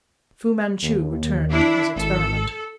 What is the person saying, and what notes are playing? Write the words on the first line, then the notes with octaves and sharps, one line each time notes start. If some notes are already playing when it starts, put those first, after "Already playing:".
Fu-Manchu returned to his experiment.
D#2
D4 E4
G#1 A4